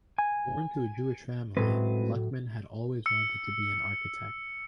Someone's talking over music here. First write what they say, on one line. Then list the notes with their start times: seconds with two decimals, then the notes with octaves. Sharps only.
Born to a Jewish family, Luckman had always wanted to be an architect.
0.18 G#5
1.57 A2 F#3 G#3 C4 B4
3.06 E6 C#7